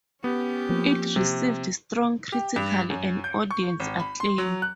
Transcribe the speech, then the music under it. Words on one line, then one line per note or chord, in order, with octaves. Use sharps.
It received strong critical and audience acclaim.
B3 C#4 G4
F3 A#3 C4
C3
G4
G2
F#2
G6
C#6
G#1
B5
C6
F#3
F#6